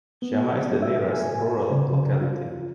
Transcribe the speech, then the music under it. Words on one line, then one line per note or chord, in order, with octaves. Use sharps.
Syama is the nearest rural locality.
B3
E5
G#5
C#3
F4